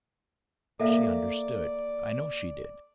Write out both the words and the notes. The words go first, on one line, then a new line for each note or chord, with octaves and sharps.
She understood, I know she did.
A#3 A4 D5 E5 F5